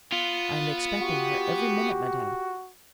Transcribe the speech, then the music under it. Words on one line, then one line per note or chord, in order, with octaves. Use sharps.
I am expecting her every minute, madame.
B3 F4
F#4 G4